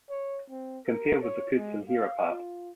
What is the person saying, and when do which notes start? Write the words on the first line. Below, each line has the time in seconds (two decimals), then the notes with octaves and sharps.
Compare with the kutsinhira part.
0.10 C#5
0.50 C4
0.88 A#4
1.23 C#5
1.57 G#3
1.89 F5
2.29 F4